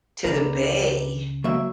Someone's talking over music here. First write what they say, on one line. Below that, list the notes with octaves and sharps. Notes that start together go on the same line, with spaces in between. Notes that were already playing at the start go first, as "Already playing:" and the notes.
to the bay.
C#2 C#3 A#4 B4 D5
F#3 A#3 E5